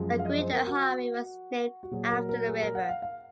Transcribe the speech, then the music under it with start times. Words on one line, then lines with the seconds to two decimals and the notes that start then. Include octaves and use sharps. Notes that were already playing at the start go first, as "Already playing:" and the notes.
The Gwydir Highway was named after the river.
Already playing: F#2 F3 G#3
0.19 F5
0.25 D#5
0.38 C5
0.52 A#4
0.67 F#4
1.83 F#4
1.91 A#2 F#3 G#4
2.11 A#4
2.29 A#4
2.47 G#4
2.62 A#4
2.75 F#5
2.89 F5
3.02 F5